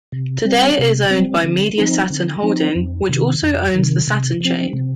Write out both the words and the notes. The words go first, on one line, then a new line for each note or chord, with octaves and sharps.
Today it is owned by Media-Saturn Holding, which also owns the Saturn chain.
C3
G3 C4
C3
G3 C4
D3
F3 C4 D#4
D3
F3 C4 D#4
F2
C3 D#3
F2
C3 D#3
C3
F3 C4
C3